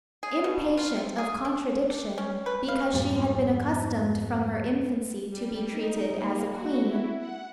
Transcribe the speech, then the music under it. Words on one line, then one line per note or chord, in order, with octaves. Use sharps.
Impatient of contradiction, because she had been accustomed from her infancy to be treated as a queen.
G#4
B2
F4
C3
G#4
D4
D4
C#4
B4
F5
F2 G#2 B2 G3
G3
D#4
A#3
F#4
E4
F#5